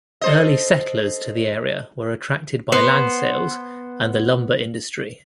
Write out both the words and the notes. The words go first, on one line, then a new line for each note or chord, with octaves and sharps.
Early settlers to the area were attracted by land sales and the lumber industry.
A4 C5 D#5
B3 C5